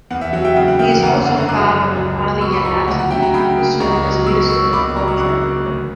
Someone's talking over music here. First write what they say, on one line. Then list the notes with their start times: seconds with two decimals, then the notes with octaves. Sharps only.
He is also father of Ali Jannati, who served as Minister of Culture.
0.10 E2 F#5
0.21 E5
0.33 F#3 F#5
0.45 E5 G5
0.56 C#3 E5
0.68 F#5
0.79 E2 E5 G5
0.91 F#5
1.03 F#1 F#5 A#5
1.14 F#5
1.25 D3 F#5
1.37 F#5 A#5
1.49 F#2 D6 F#6
1.72 F#3
1.95 C#2
2.19 A#3
2.41 B2 C#6 E6
2.52 B5 D6
2.64 C#2 A#5 C#6
2.88 D2 F#5 A#5
2.99 F#5
3.11 F#3 E5 G5
3.22 F#5 A#5
3.34 C#3 G5 B5
3.57 A#3
3.80 C#2 A#5 C#6
4.04 F#3
4.26 B2 C#6 E6
4.50 A#3 C#6 E6
4.73 C#2 B5 D6
4.96 F#3 A#5 C#6
5.08 C#6 E6
5.19 C#3 D6 F#6
5.43 A#3
5.66 D2